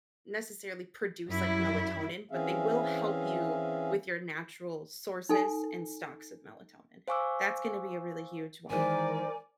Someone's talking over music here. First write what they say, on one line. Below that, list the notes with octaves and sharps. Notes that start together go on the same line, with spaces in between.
necessarily produce like melatonin, but they will help you with your natural sources and stocks of melatonin. That's gonna be a really huge one,
F#2 G3 E4
E3 C4 C#4 G#4 E5 F5
D#4 A4 G#5
C5 F5 G#5 C#6 D6 E6
D#3 E3 G#3 A#4 C5 D5 G#5